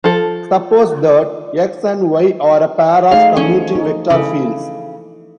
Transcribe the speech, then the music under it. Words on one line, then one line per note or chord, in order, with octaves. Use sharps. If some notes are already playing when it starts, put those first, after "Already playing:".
Suppose that "X" and "Y" are a pair of commuting vector fields.
F3 A4
A3 D#4 G#4 F5
E3 F3 C#4 A4
D#4
C#3 E4 A4